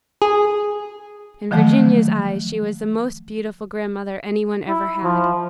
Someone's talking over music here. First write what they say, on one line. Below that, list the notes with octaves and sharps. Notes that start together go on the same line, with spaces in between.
In Virginia's eyes she was the most beautiful grandmother any one ever had.
G#4
D3 D#3 F3 F#3 A3
E4
F3